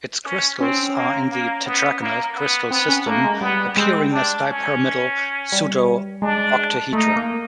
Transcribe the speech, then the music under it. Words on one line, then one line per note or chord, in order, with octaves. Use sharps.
Its crystals are in the tetragonal crystal system, appearing as dipyramidal pseudo-octahedra.
C#4
C4 C#4
A#3
A#3
B3
A#3
B3
B3 C4
C#4
A3 A#3
G#3
G3 B3
G#3 C4
D4
C#4
G3
G#3 D4
A3 D#4
A#3